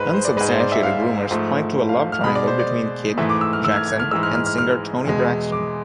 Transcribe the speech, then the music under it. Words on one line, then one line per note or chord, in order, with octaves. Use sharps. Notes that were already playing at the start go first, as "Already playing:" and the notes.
Unsubstantiated rumors point to a love triangle between Kidd, Jackson, and singer Toni Braxton.
Already playing: G#2 G#3 B4 C5
C5
D5
G#2 G#3 B4
C5
D5
E5
F5
G#2 F3 A3
F5
F6
B2 G#3 B5
D5
C5
D5
G#2 E3 A3 E5
D6
E6
F6
E6
G#6
F6
G#6
F6
G#2 E3 G#3 E6
F6
F6
F6
F6
E2 B2 G#3
D6